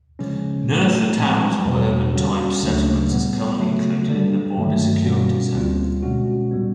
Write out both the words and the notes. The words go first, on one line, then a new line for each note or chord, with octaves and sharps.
None of towns or urban-type settlements is currently included in the border security zone.
C#3 F3 G#3 C#4
A2 E3 A3
A#2 F3 G#3 C4
E2 B2 G3 A#3
D3 G3 A#3 C#4 F#4
D2 C#3 F#3 A3 D4
A#2 G3 B3
C#3 F#3 A3
D3 G3 A#3 D4
G2 D#3 F#3 A3
B2 G3 A#3 C#4 F#4
D2 D3 G3 C4 F4
B2 G#3 C#4 F#4
A#2 G3 B3